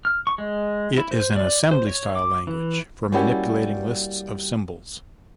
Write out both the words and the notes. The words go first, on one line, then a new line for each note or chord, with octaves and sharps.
It is an assembly-style language for manipulating lists of symbols.
F6
C#6
G#3
E4
C5
D5
C5
C#5
D6
E3
G3 A#3 C#4 E4 F#4 G4